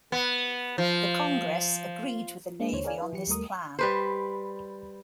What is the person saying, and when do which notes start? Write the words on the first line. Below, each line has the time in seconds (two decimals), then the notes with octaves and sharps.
The Congress agreed with the Navy on this plan.
0.12 B3
0.78 F3
2.60 G#3 A#3 D4
2.73 D#2 D3 C5 C#5
2.84 G#4 A#4 C#5 D5 F5 G#5
2.98 E4 B4
3.13 E3 F#3 G4 C#7
3.27 D#2 G3 A3 A#4 D#6
3.79 G3 B4 C5